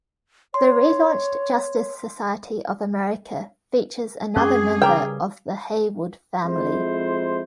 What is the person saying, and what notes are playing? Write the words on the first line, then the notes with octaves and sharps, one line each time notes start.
The relaunched "Justice Society of America" features another member of the Heywood family.
C#5 C6
F#2 G#3 C4 C#4 G#4 C#6 D6
C#3 G3 A#4 B4 G5 D6
F2 G#3 E4 C5